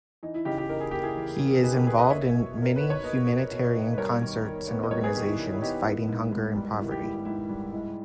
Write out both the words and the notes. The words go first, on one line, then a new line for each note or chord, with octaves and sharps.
He is involved in many humanitarian concerts and organizations fighting hunger and poverty.
E3 D#4
E4
C#3 D#4 G4
D#4 G4
D#4 A#4
G#4
A#3 G4
E4 G#4
E3
C#3
D#4 G#4 B4
G4 A#4
A#3 G#4 B4
B4 D#5
A#3 C#5 E5
B2
B2
A#4
D#4 B4
C#5
A#3 B4 D#5
B2
B2
D#4
B4
G3 A#4 C#5
D#3
D#3
B3
D#5
G3 A#4 C#5
G#4 B4
D#3 G4 A#4
E4 G#4
D#3
E4
B3 D#4 G4
D#3 E4
G#2
G#2
G3
D#3 E4
G4
G#2 E4
G4
G#2 E4
G3
G#3 E4